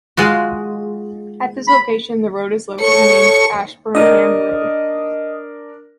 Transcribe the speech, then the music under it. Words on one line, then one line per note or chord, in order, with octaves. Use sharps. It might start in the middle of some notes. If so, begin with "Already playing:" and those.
At this location, the road is locally named Ashburnham Road.
G#3 F4 F#4
B5
A4 C#5 C#6 C#7
D4 A#4 D#5 D#6